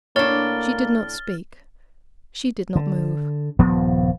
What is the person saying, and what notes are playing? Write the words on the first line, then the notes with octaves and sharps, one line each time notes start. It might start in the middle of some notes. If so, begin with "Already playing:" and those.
She did not speak; she did not move.
A2 A#3 D4 C#5 F6 A6 G7
D3
D#1 G2 F3 B3